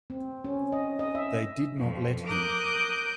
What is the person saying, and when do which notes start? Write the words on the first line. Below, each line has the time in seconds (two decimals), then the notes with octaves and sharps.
They did not let him.
0.10 C4
0.44 C#4
0.72 D#5
0.99 D#5
1.15 E5
1.77 F2 F3
2.27 A#4 D6 D#6 F#6 G6